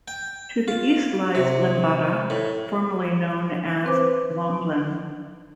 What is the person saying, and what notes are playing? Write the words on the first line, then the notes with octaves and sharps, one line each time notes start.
To the east lies Lembata, formerly known as Lomblen.
G5
F4
C3
A2
C4 B4 C5 D6